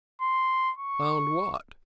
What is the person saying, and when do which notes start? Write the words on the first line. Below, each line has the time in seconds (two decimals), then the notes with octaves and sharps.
"Found what?"
0.22 C6
0.78 C#6